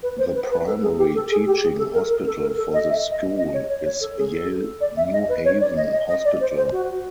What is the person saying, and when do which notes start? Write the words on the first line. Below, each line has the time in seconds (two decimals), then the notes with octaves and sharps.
The primary teaching hospital for the school is Yale-New Haven Hospital.
0.03 B4
0.18 C5
0.35 B4
0.51 B4
0.67 A4
0.82 G#4
0.98 G4
1.15 A4
1.31 G#4
1.46 G4
1.62 G#4
1.78 A4
1.94 A#4
2.10 A#4
2.26 A4
2.42 A#4
2.57 A4
2.74 D#5
2.90 E5
3.11 D#5
3.38 D#5
3.53 C#5
3.69 C#5
3.85 C#5
4.01 A4
4.17 G#4
4.34 A4
4.81 D5
4.97 E5
5.13 D#5
5.29 B4
5.45 C#5
5.60 D5
5.77 D#5
5.92 D#5
6.08 D#5
6.25 D5
6.40 C5
6.56 C5
6.72 F#4